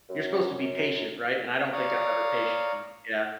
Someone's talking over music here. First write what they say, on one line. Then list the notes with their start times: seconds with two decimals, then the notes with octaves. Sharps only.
You're supposed to be patient, right, and I don't think I'm ever patient enough, yeah.
0.09 F#2
1.72 C#5 D5 F5 A#5 D#6